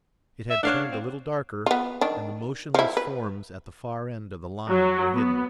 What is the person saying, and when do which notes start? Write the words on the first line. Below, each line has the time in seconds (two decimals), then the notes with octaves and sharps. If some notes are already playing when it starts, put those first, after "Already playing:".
It had turned a little darker and the motionless forms at the far end of the line were hidden.
0.50 E5
0.63 D4 C#5 F5 F#5
0.91 C4
1.66 B3 F4
2.01 D#3 D4
2.74 F3 E4
2.97 B4
4.69 F#3
5.13 B3